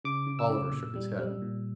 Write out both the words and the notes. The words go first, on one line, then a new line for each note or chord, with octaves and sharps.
Oliver shook his head.
C#3 D6
C#3
E6
C#3
A#2
G3
G3
A#2